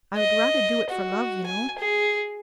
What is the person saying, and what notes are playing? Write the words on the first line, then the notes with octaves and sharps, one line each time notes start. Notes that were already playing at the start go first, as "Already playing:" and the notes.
"I would rather do it for love, you know."
D#5
F#4
G#5
G#4